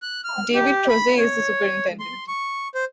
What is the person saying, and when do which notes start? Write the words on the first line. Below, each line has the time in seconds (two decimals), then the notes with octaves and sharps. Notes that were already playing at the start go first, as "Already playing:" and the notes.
David Kroeze is the Superintendent.
0.02 F#6
0.24 F6
0.54 G4
0.88 B5
1.18 C#5
2.00 C6
2.28 C#6
2.75 C5